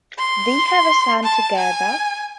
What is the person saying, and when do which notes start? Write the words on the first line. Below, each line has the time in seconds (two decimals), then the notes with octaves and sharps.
They have a son together.
0.19 C6
1.24 A5
1.58 G#5